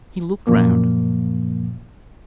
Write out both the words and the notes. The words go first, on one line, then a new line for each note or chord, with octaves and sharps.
He looked round.
F#2 A#2 F3 A#3